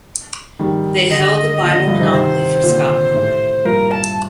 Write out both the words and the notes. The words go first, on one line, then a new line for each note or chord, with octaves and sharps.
They held the Bible monopoly for Scotland.
D#3 G3
D3 F#3 D#5
A#2 D3
A#2 D3
G2 A#2
C3 D#3
C3 D#3 C5
A#2 D3
A2 C3
G2 A#2 A#4
A5